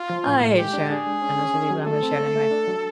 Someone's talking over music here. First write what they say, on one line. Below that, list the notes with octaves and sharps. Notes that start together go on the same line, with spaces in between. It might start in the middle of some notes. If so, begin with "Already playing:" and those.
I hate sharing this with you, but I'm gonna share it anyway.
Already playing: F4
F3
A2
A2
G#3 G4
D4
D4 G#4
G#3
C#4
C#4
C#4
F#3
A3 A4
C4
A3
A3
D4
F#3